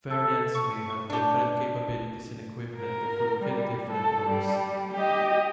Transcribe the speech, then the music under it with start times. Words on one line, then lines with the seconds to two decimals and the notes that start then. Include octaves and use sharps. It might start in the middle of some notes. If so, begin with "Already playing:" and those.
Variants may have different capabilities and equipment to fulfill different roles.
0.11 A4
0.55 C#6
1.10 D4 G4
2.76 A#4
3.40 G3
3.90 A4
4.30 G3
4.94 G4 D#5